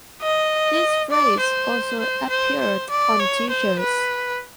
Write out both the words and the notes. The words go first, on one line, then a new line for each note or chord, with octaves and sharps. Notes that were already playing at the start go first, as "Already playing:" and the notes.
This phrase also appeared on T-shirts.
D#5
D5
C5
C5
C5
C5
D5
C#5
C5
B4